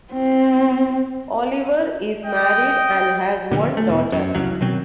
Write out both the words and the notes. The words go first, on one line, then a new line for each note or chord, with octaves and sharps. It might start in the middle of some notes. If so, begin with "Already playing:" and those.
Oliver is married and has one daughter.
C4
D#5 G5
A#2 D3 D#3 F3
A3
E2 B2
F#2
F1 C2 C#3 F#3
B2 D#3 F#3 C4